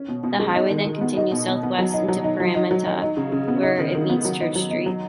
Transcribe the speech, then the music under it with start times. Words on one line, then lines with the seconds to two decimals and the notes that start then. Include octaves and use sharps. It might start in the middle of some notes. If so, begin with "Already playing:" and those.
The highway then continues south-west into Parramatta where it meets Church Street.
Already playing: C#4
0.08 B2
0.23 B2
0.40 G#3
0.55 D#4
0.71 D#3
0.85 D#3
1.01 B3
1.17 D#4
1.31 B2
1.48 B2
1.63 B3
1.79 F#3
1.94 D#4
2.08 F#3
2.24 D#4
2.40 F#3
2.55 D#4
2.71 F#3
2.86 D#4
3.02 D#4
3.17 C#3
3.32 C#3
3.48 B3
3.63 D#4
3.79 D#3
3.95 D#3
4.10 B3
4.25 F#3
4.41 D#4
4.55 F#3
4.71 D#4
4.86 F#3